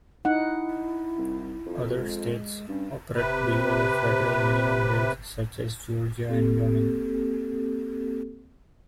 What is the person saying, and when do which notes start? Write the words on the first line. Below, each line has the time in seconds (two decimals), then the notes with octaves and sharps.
Other states operate below the federal minimum wage such as Georgia and Wyoming.
0.25 D#4 E4 F#5
1.18 C2
1.66 F2
1.96 G#3
2.69 G2 C#4
3.16 C3 B4
6.29 A#3 C4 G4 A4